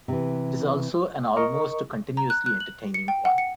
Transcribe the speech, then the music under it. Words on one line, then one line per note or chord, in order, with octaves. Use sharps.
It is also an almost continuously entertaining one.
C3 E3
A#4 D#5 C#6
A#5
F#6
F#6
F#7
C#7
G5
F#5
C#7